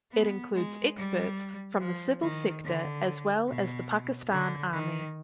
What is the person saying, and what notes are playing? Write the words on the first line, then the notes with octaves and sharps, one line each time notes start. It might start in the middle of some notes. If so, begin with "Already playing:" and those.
It includes experts from the civil sector as well as the Pakistan Army.
B3
G#3
G3
F3
D#3
D3
B2
D3
D#3